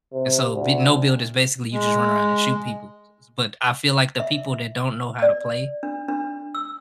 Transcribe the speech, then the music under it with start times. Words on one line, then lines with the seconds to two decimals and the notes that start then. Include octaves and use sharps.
And so b no-build is basically you just run around and shoot people, s s but, I feel like the people that don't know how to play,
0.13 C3
0.54 D2
1.72 G#3
4.20 E5
5.22 D5
5.83 D4
6.08 D4
6.55 E6